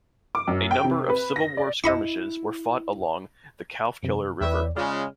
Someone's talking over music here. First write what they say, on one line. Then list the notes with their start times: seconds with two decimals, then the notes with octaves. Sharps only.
A number of Civil War skirmishes were fought along the Calfkiller River.
0.35 D6
0.48 F#2
0.71 G5
0.84 C3
1.09 B4
1.36 A#6
1.57 D5
1.84 E4 D#5 B5 C#6
4.03 F#2 C3
4.41 E2 E4 B4 C#5 D5 E5 G5
4.77 C#3 G#3 F4 D5 F6